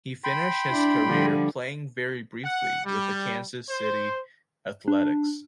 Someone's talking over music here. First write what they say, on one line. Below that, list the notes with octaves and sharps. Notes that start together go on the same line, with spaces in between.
He finished his career playing very briefly with the Kansas City Athletics.
G5 B5 C6
D4 E4
D3 F3 G3
F#5
G3
C5
D4